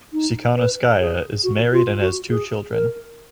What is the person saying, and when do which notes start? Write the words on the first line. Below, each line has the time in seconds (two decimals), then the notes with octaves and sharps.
Tsikhanouskaya is married and has two children.
0.13 D#4
0.56 B4
1.00 G#4
1.44 F#4
1.72 F4
2.01 F#4
2.30 G#4
2.73 A#4